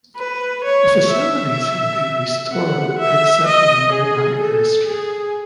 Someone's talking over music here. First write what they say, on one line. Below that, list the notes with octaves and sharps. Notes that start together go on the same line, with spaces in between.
The facilities have been restored except for the nearby airstrip.
B4
C#5
E5
F#5
E5
D#5
G#4
A4
G#4